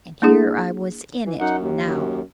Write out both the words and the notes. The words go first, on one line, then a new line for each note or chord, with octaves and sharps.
And here I was IN it now.
A#3 D4 E4 G#4
E3
F#2 D#4 F#5
D#2
F#2